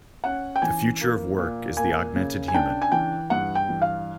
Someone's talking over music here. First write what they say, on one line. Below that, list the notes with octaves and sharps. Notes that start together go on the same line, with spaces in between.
The future of work is the augmented human.
C#4 F#5
G5
E3 G#5
A#3
A#2
A#3 G#5
C#3
G#5
D4 G5
G#5
E3 G5
G2 F#5
G5
E3
F5